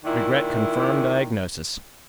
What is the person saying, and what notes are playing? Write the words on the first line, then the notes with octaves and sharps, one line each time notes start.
Regret confirm diagnosis.
A#2 D#3 D4 E4